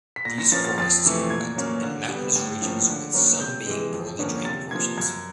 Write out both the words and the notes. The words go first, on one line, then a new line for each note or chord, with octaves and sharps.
These forests are wet and mountainous regions with some being poorly drained portions.
B6
A#2 A#6
A#6
F3 A#3 C#4 A6
A6
F2 A6
C3 E3 A3
A#2 G#6
F#3 A#3 C#4
D3
G3 B3
A2
F3 A#3 C#4
D3
F#3 A#3 C#4
C3 G6
E3 G#3
F2
D3 F3 A#3 C#4
C3 A6
F3 A#3 G#6
F#2 G#6